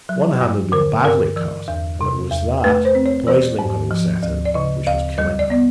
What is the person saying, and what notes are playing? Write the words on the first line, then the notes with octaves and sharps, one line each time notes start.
One hand had been badly cut, and it was that, poisoning having set in, which was killing her.
F#3
G2
D3 A#4
G2 A#4
E3
E2
C3
E2
A3 B4
C5
C4
C#5
E3 C5
G#2
F3
D2
D5
C#3 D#5
D2 F5
G3 D#5
D5
B3 D5